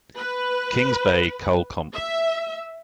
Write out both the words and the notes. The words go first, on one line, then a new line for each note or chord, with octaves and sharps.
Kings Bay Kull Comp.
B4
E5